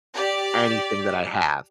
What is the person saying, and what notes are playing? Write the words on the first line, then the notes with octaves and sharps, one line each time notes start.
anything that I have.
G4 D5